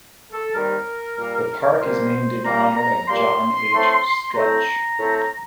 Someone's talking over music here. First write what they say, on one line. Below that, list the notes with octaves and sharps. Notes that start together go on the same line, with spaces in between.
The park is named in honor of John H. Stretch.
A4
D#2 D#3 G3 C4 A#4
A#2 G3 A#3
A#2 G3 A#3 C5
A#2 G3 A#3 A#5
A#5
A#2 G3 A#3 C6
A2 A3 C4
A2 A3 C4 A#5
A2 A3 C4